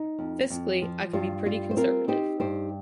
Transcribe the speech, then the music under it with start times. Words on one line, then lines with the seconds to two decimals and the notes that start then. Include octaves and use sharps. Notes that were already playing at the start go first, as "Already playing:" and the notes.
Fiscally, I can be pretty conservative.
Already playing: D#4
0.19 F2
0.50 F2
0.82 F3
1.13 G2 F4
1.46 G3 F4
1.71 C5
1.77 C4 F4 A#4
2.08 D#4 G4 C5
2.40 G2 G4 C5